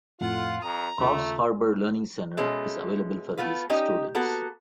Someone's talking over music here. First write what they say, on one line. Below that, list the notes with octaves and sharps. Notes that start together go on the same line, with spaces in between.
Coffs Harbour Learning Centre is available for these students.
F2 A2 F4 F#5
F2 A#5 D#6
D#2 C#3 A3 F4
B2 G#3 A3 C#4
A3 B3 F4 B4
C#4 D#4 G4 D#5
A#3 B3 F#4 A4